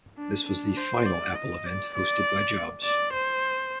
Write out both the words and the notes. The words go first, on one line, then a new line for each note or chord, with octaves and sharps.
This was the final Apple event hosted by Jobs.
D4
D4
C5
D5
D#5
D5
D5
D5
C5